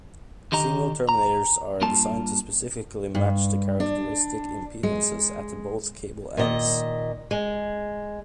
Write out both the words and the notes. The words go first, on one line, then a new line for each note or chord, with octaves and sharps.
Signal terminators are designed to specifically match the characteristic impedances at both cable ends.
D3 D#3 G4 D#5 A#5
A#5
G2 A#3 F4 A5
G2
D4
G#3
A#2 D#3 D#5
G#3